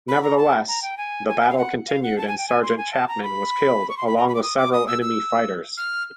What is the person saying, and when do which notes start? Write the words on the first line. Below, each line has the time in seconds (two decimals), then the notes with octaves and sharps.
Nevertheless, the battle continued and Sergeant Chapman was killed along with several enemy fighters.
0.08 B5
0.23 A#5
0.37 A5
0.68 A#5
0.82 G5
0.97 G#5
1.28 G#5
1.40 E5
1.50 F5
1.57 F#5
1.88 F5
2.03 F#5
2.18 A5
2.28 G#5
2.38 G5
2.48 G#5
2.62 C6
2.78 G#5
2.92 A5
3.08 A#5
3.23 B5
3.89 C#6
3.97 C6
4.07 B5
4.17 A#5
4.28 B5
4.35 D6
4.42 D#6
4.57 D6
4.72 D#6
4.87 E6
5.02 E6
5.77 F6